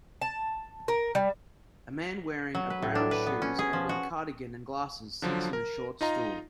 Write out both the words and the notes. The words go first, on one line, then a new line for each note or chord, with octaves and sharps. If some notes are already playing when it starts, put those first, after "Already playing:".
A man wearing a brown shoes and with a cardigan and glasses sits in a short stool.
A5
A#4
G3
F#3
B4
A2
D4
B4
B3
C#4
G#4
F3
F#4
D3 F3 F#3
A#4
D#4 F4 D#5 A#5